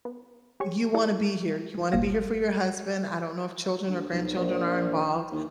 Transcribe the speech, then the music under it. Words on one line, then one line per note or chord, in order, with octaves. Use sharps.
you wanna be here. You wanna be here for your husband, I don't know if children or grandchildren are involved,
B3
G4 G#4 C#5 C#6
E4 G#4 A4 D5
G1 C2 A#2 A#3 F5 A#6
D2
B1
A#1
D#2